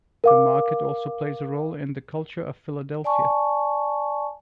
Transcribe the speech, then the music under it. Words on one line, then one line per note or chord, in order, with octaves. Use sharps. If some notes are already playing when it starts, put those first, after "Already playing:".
The market also plays a role in the culture of Philadelphia.
A#4 F5 D6
D5 G#5 A5 C#6